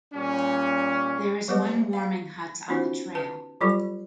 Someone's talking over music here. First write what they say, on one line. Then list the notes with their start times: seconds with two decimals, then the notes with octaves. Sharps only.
There is one warming hut on the trail.
0.14 A#2 G3 C#4
1.48 F#3 G3 B3 G4 B4 D#5
1.93 F5
2.68 B3 C#4 D#4 F4 F#4 C5
3.15 B4 A5
3.61 F#3 G3 F4 G4 A4